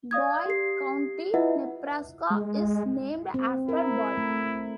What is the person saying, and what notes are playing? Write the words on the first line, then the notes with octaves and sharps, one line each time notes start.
Boyd County, Nebraska is named after Boyd.
D5 F5 D#6 G#6
G4 C7
E4 F4 B4 D#5 E5 F#5
G#3
C4
E4 A#4
A3